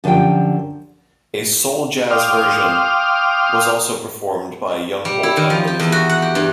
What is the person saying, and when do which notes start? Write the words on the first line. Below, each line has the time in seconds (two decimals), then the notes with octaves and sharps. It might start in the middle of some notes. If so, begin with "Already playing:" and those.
A soul-jazz version was also performed by Young-Holt Unlimited.
0.04 F#2 D3 F3 G4 G5
2.10 F5 G5 C6 D6 D#6 F6
5.05 G3
5.23 E4
5.37 D#3
5.50 F3
5.67 G4
5.79 E2
5.92 F#4
6.09 F#5
6.22 G4
6.35 G2